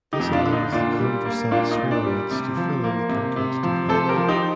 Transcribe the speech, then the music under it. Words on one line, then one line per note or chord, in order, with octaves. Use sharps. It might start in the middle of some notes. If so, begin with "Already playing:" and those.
This allows the chondrocyte spheroids to fill in the cartilage defect.
D#4 G4
F2
D4 F4
D3
D#4
A#2 D4 F4
G3
A#3
A#2 D4 F4
D#4
A#2
D4
G3
C3
F3
A#3
C3
C3
F3
C3 A4 C5
G4 A#4
F3
D#4 G4